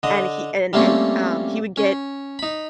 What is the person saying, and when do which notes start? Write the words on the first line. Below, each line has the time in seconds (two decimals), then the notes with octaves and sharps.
and he and and, um, he would get
0.03 D3 D#5
0.73 G3 A3 A#3 C4 C#4
1.77 C#4
2.39 D#4 B5